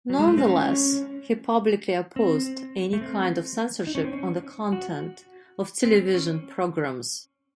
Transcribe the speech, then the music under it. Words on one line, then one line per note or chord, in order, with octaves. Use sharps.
Nonetheless, he publicly opposed any kind of censorship on the content of television programs.
F#3
G#3
A3
C4
C#4
C4
A3
C4
D#4
C#4
C4
C#4
F#4
C4
C#4